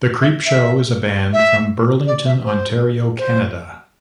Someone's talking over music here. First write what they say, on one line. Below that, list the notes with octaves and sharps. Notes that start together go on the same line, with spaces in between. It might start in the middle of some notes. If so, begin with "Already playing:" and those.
The Creepshow is a band from Burlington, Ontario, Canada.
E5
E5
E5
D5
E5
C5
C5